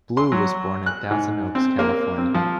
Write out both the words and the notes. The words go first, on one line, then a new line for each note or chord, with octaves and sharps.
Blue was born in Thousand Oaks, California.
C6
F#3
F#6
G#2
C4
A#3
C4
F3